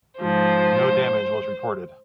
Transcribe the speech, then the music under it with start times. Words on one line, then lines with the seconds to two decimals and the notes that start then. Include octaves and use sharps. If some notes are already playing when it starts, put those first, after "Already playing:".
No damage was reported.
0.19 G#2 F3 C5